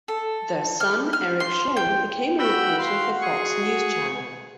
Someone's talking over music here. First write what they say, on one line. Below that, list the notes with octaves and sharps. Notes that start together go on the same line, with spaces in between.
Their son, Eric Shawn, became a reporter for Fox News Channel.
A4
F6
F6
C6
G5
F#4 G5 B5 E6
F5 C6
G#4 C#6